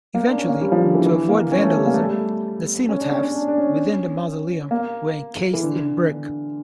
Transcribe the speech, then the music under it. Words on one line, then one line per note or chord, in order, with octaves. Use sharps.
Eventually, to avoid vandalism, the cenotaphs within the mausoleum were encased in brick.
A#3
D4
C#4
A#3
G3
F3
D3
E3
E3
A#3
C#4
A3
G3
A#3
A3
G3
A3
C#4
D4
C#4
C#4
D4
D4
C#4
A#3
E3
D3
D3